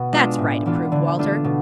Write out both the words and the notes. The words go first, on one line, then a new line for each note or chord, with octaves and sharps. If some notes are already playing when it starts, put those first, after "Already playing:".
"That's right," approved Walter.
Already playing: B2
G#3 D4 F4
A2
E3 B3 D4 F4
D3
A3 D4 F4
B2